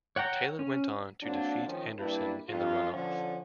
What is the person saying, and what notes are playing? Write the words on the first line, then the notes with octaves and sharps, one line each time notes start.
Taylor went on to defeat Anderson in the runoff.
C#5 F#5 G5 A#5
C#4
F#3 A#3 C4 D4
D#3 F3 C#4
G2 G3 A#3 D4 E4 B4
F2 F4
D3 F3 C#4